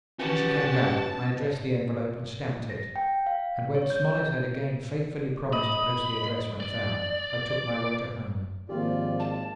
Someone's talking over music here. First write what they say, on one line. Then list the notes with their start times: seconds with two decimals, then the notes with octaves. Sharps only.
When she came back, I addressed the envelope and stamped it, and when Smollet had again faithfully promised to post the address when found, I took my way to home.
0.19 C#4 F#4 G4 B4 A5
2.70 A#6
2.96 G5
3.27 F5
3.75 C#5
3.90 G6
5.53 D#5 B5
6.60 D5
8.69 G#1 F3 A#3 F4 G4 D5
9.19 A5